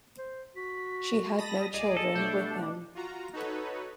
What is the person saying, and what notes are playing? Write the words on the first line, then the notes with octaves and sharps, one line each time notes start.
She had no children with him.
C5
F#4 B6
A5 B5 D#6 A#6
A#1 G#4 D5 D#5 D#7
A4
B2 A3 D4 G6
F4 F#4 A#5
D#4 F#4 A4 B4 C#5